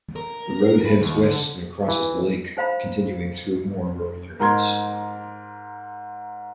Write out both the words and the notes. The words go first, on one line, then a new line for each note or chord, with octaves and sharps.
The road heads west and crosses the lake, continuing through more rural areas.
A#4
B4
D#2
D3
E3
D#4 C5 F5 A#5 B5
G#2 A#4 A#5 C6 G#6